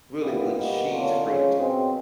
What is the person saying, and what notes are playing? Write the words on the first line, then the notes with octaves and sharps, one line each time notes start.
really, when she's free to talk.
A#2 G3 B3 E4
B2 G3 A#3 D#4 F#4
D3 F#3 A#3 C#4 F4
C#3 F3 G#3 C#4 F4
B2 G#3 C4